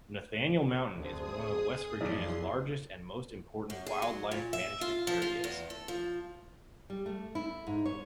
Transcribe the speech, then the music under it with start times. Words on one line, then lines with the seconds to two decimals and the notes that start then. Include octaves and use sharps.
Nathaniel Mountain is one of West Virginia's largest and most important wildlife management areas.
0.96 D2 C4 G#4 D#6
2.01 B1 F2 E3 G#4 D5 C6 C7
3.70 F#2
3.86 G#4
4.02 F#3
4.31 A#2
4.53 E5
4.81 F4
5.07 F3
5.22 F4
5.44 E2
5.70 A4
5.88 F3
6.90 G3
7.06 A3
7.35 E4
7.67 G#2
7.86 C#5